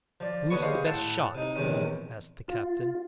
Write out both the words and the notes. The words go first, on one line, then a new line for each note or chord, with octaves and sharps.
"Who's the best shot?" asked the captain.
F3 D5
D#2 D3 B3 C#5 B5 C#6
G4 G#4 C5 D#5 F5 G5
A2 E4 F#5 A5
C3 D#4
A#1 E2 C3 D#3 C#4
F4